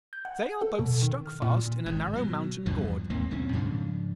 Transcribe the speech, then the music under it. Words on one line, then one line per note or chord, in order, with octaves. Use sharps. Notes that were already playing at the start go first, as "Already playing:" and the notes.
'They are both stuck fast in a narrow mountain gorge.
G6
F#5
A4
B2
D#3
F6
A#2
G#1 G#2
B2 F#3
E2 G2 E3 F3
D#2 G#2 A#3 C4
B1 E2 C4 C#4
G#2 C#3 F3 D4